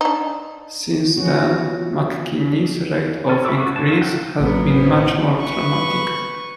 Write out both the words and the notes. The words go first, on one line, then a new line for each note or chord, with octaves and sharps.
Since then, McKinney's rate of increase has been much more dramatic.
D4 D#4
E3 F3 B3 C#4 F#4
C#4 A4
E5 B5 C#6 D6 E6
F#4 C#6
C#3 E3 F#4 A5
F#3 A#3 D#4 F4
C#4 F#4 A4 G5
A1 F#3 A#3 B3
C#4 D#4 E4 C5
B4 C#6